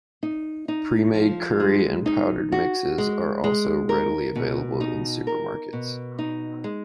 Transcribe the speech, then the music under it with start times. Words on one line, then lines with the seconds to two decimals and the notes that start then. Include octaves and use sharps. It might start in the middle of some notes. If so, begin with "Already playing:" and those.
Premade curry and powdered mixes are also readily available in supermarkets.
0.23 D#4
0.68 D#4
1.14 F3
1.60 G#3
2.06 D#4
2.52 F#4
2.98 G#3
3.44 G#3
3.89 A#4
4.36 B2
4.81 D#4
5.27 A#4
5.73 B2
6.19 D#4
6.64 G#3